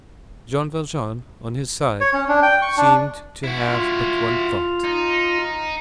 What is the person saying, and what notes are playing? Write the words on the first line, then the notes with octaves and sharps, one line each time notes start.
Jean Valjean, on his side, seemed to have but one thought.
C#5
C#4
D4
G5
C#6
D4
E4 F#4
F4
D#4